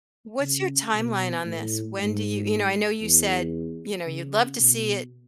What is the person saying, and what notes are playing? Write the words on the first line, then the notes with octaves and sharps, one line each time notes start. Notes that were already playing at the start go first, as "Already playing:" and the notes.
What's your timeline on this? When do you you know, I know you said, you know, you'd love to see it
C#3
B2
A2
G#2
E2
C#3
B2